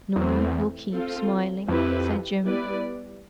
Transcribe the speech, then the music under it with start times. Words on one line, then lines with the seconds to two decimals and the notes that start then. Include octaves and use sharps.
"Norah will keep smiling," said Jim.
0.16 E2 E3 A3 C4
0.92 C4 F4 A4
1.68 F2 C4 E4 G4 B4
2.44 G3 B3 E4 B4 D5